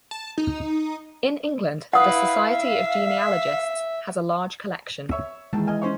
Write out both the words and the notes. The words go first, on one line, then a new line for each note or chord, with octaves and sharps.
In England, the Society of Genealogists has a large collection.
A5
D#4
E4 B4 F5 F#5 D#6
E5
C#5 E5
D#2 E3 G#3 A5
D#5 G#5 F6
C#4 C5 C#5